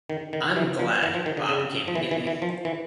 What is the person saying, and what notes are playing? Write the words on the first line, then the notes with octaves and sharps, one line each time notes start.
I'm glad Bob came to get me.
D#3
D#3
E3
F3
E3
F3
D#3
D3
C#3
F3
E3
E3
E3
F3
E3